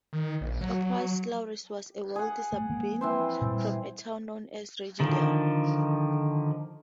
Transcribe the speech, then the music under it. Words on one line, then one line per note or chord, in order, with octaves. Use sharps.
Appius Claudius was a wealthy Sabine from a town known as "Regillum".
D#3
A#1
F#3
G#4 F#5
A3
F3 G#3 A#3
E3 C4 C5
A#2 G3
D3 D#3 F3